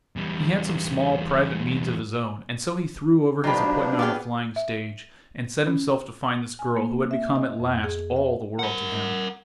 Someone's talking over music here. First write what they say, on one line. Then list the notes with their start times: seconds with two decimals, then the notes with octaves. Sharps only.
He had some small private means of his own, and so he threw over his appointment on the flying stage, and set himself to find this girl who had become at last all the world to him.
0.16 E2 G3
3.44 B2 F3 F#3 D4 D#4 F4 G4 B5
3.99 B3 G#4 D5 F5 G5
4.56 E5
5.67 C#4
6.59 G#5
6.77 A#3
7.11 E5
7.36 D#5
7.60 F2
7.84 G#4
8.16 E5
8.59 A#4 F#5